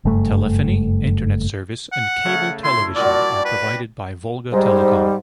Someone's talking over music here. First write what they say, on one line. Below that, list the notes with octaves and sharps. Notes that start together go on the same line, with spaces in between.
Telephony, Internet service, and cable television are provided by VolgaTelecom.
F#1 G2 A3
F#5
C#3 A3
E4 C6
A#2 G3 F#4 D5
A5
B4
G#2 G3 C5